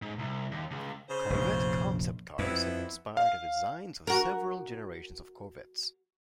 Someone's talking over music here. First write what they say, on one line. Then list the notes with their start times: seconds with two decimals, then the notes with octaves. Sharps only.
Corvette concept cars have inspired the designs of several generations of Corvettes.
0.02 G#2
0.19 C2
0.52 D#2
0.71 C#2
1.09 C#3 C5
1.30 F1 A#1
2.39 F2 B3 C4 E4
3.17 F5
4.07 F#4 A#4